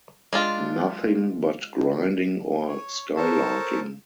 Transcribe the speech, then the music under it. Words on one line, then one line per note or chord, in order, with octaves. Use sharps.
Nothing but grinding or skylarking.
G#3 D4 F4
C#5
A4 A#4 C5 C#5 A5